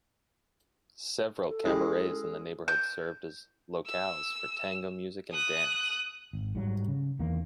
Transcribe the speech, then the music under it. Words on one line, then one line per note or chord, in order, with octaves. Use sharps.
Several cabarets in the neighborhood served as locales for tango music and dance.
A4
G#3 C#4 E4 G4
G6
E6
D#6 F#6
G#1
G#2 F#3 G3
C#3
E2 D#3 E3 A#3